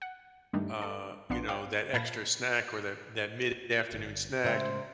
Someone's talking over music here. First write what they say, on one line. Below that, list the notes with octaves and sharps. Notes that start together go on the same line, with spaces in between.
uh, you know, that extra snack or that that mid-afternoon snack,
F#5
G2 D#3 G3 A3 D4 D#4
A4
A#1 B3 D4 F4 C6
C#5 F5 G5 D6
A#2 F5 A5 B5 G#6 A#6
G1
A2 C#3 G#3 A#4 C5 E5 G5